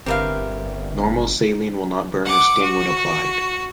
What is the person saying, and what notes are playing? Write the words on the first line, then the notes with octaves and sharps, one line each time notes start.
Normal saline will not burn or sting when applied.
G1 C4 G4 A#4 B4 E5 F5
F#5 D6
F#4